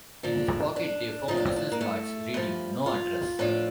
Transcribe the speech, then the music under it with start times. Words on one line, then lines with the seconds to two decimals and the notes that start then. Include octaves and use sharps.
In his pocket they found business cards reading, No Address.
0.23 A#2 F3 D4
0.76 D4
1.28 A2 F3 D#4
1.37 D4
1.46 C4
1.56 D4
1.72 A#3
1.81 A3
2.34 G2 F3
2.86 F4
3.39 A2 F3 D4